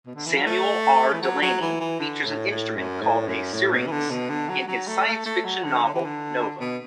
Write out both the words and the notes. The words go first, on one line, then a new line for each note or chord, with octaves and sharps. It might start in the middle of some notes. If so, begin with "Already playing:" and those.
Samuel R. Delany features an instrument called a syrynx in his science-fiction novel "Nova".
B2
D3
E3
F#3
A3
E3
F#3
F#3
E3
E3
D3
A2
A2
F#2
A2
F#2
A2
B2
E3
D3
B2
D3
F#3
F#3
A3
A3
A3
F#3
D3
D3
E3
D3
B2